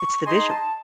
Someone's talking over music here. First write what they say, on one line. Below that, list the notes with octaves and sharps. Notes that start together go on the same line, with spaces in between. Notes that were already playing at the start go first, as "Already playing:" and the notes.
It's the visual.
Already playing: C#6
D#4 G#4 D#5 G#5 C6
A5